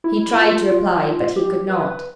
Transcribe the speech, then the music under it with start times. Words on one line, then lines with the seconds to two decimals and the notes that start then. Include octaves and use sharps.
He tried to reply, but he could not.
0.04 E4
0.31 E4
0.37 F4
0.70 F4
1.36 G4
1.70 B4